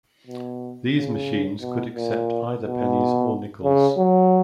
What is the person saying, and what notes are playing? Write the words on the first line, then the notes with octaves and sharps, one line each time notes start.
These machines could accept either pennies or nickels.
B2
C#3
B2
A#2
B2
C#3
F#3